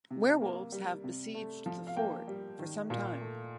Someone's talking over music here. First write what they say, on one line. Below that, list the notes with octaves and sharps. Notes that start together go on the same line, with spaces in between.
Werewolves have besieged the fort for some time.
C3
A#3
G3
C3
A3
F3
F5
A#3 G5
G3
D#3
A#2
A3